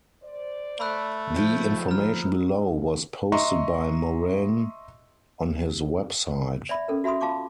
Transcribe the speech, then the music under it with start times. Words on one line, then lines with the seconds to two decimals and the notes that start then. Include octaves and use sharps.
The information below was posted by Moran on his website.
0.23 C5 D5
0.80 A3 B5 E6 F#6
1.36 F3
1.88 D3 A#5 F6
3.32 D#5 E5 A#5 C6 C#6
6.69 D5 E5 B5
6.88 C#4 A4 A#4
7.04 F#4 E5 B5 C6 D#6
7.21 F4 F5 A5 C#6 D6